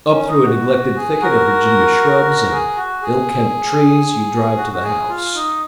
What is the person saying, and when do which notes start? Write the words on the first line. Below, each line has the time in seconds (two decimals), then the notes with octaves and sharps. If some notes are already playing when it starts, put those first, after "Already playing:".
Up through a neglected thicket of Virginia shrubs and ill-kempt trees you drive to the house.
0.10 C#4
0.27 D#4
0.44 F#4
0.96 G#4
1.21 F#4 A#4
2.51 G#4
2.77 F#4
3.02 G#4
4.57 F#4
4.73 F#4
4.83 G#4
5.09 F4
5.35 D#4